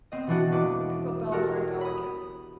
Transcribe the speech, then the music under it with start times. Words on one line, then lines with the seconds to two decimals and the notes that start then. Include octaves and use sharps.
Dingle-bells are delicate.
0.12 B3 C4 D#5
0.27 B2 E3 D4 F#4
0.52 E1 A#3 B4 D6
1.32 F#4 G4 A4 A#4
1.81 B5 D#6